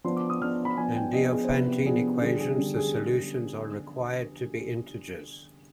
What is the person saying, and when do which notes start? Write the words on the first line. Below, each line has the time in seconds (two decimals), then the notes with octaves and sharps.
In Diophantine equations the solutions are required to be integers.
0.04 F3 B3 D4 C6
0.17 D6
0.30 D#6
0.41 F3 B3 D4 F6
0.65 B5
0.77 F3 B3 D4 G#5
0.96 G5
1.13 F3 B3 D4 D#5
1.32 G#4
1.44 C5
1.49 C3 F3 B3 D4 B4
1.68 G4
1.85 C3 F3 B3 D4 G#4
2.21 D3 G3 D4 G#4
2.40 G#4
2.57 D3 G3 D4
2.76 G#4